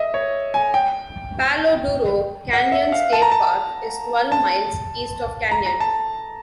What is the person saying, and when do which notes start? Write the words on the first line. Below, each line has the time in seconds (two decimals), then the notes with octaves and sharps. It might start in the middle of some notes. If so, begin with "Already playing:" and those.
Palo Duro Canyon State Park is twelve miles east of Canyon.
Already playing: D#5 E5
0.14 C#5
0.54 G#5
0.74 G5
2.53 F#5
2.72 E5
2.92 F5
3.13 A5
3.22 A#5
3.32 A5
4.32 A5
5.51 A#5
5.66 A#5
5.80 A5